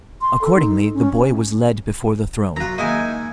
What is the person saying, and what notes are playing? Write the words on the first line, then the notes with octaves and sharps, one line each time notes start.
Accordingly, the boy was led before the throne.
C6
A4
D#4
C#4
F#2 F4 F#4 A#5
D#3 G#3 A#3 D#4 E4 G#5